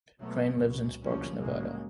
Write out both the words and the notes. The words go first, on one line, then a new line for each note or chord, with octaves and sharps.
Crane lives in Sparks, Nevada.
B2 F#3 A3 B3
C#2 F#2 B2
D2 C#3 F3 G3 A#3 C#4
C2 A2 C#3 F#3 G#3 A#3